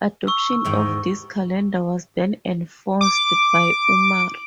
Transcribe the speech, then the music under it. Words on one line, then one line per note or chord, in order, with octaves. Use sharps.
Adoption of this calendar was then enforced by Umar.
C#6 E6
E2 G#2 D#3
D6